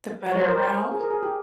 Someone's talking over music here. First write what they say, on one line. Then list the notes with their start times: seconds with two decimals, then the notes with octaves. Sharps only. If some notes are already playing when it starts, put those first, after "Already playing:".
The better route.
0.32 C#5
0.40 C5
0.48 A#4
0.55 C5
0.91 G#4
1.00 A#4
1.10 G#4
1.23 G4